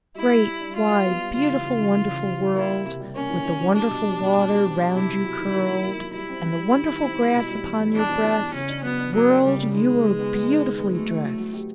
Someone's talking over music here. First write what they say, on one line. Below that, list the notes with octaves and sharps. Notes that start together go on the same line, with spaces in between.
"Great, wide, beautiful, wonderful World, With the wonderful water round you curled, And the wonderful grass upon your breast, World, you are beautifully drest!"
G3 E4
G3
G3
D4
G3 F4
G3
B3
G3
C#3 F4
E3
C#3
E3
E3
C#3
G3
E3
A#3 E4
A#3
C3
G3
A#3 C#4
E3
E3
E3
G3 D4
B2
G3
B2
B2
G3
C4
B2
C3 E4
C3
F#3
D#3
A#3
F#3
A#3
F#3
G3 E4
C4
C4
G3
D#3
D#3
C4
G3
B2
G3
E2
E2
E2 D4
E2
E2
E2
C#3 C#4
D4
F#3 B3
D4
F#3 A#3
D4
C#3 G3
C#3
D#3 G#3
B3
D#3
B3
B3
B3
D#3
B3
F#3 A3
E4
F#3
F#3
G4